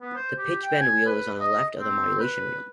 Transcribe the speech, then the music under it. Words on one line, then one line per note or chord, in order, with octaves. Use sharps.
The pitch-bend wheel is on the left of the modulation wheel.
B3
C5
G4
G5
G#5
B4
D#5
C4
B4